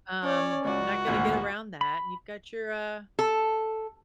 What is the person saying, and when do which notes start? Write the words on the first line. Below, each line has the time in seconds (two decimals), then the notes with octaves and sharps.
um, you're not gonna get around that, and you've got your, uh
0.24 C#4 C#5 D5
0.65 C#2 F#4 D5
1.07 G#1 D2 A#2 F#5
1.81 B5
3.19 A4